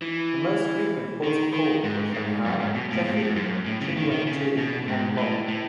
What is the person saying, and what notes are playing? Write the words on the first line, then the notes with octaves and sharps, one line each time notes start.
Her most frequent ports of call were Shanghai, Chefoo, Chinwangtao, and Hong Kong.
E3
D#3
D#3
G#2
G#2
F#2
G#2
B2
A2
G#2
A2
G#2
F#2
A2
C#3
D#3
D#3
C#3
B2
G#2
A2
A2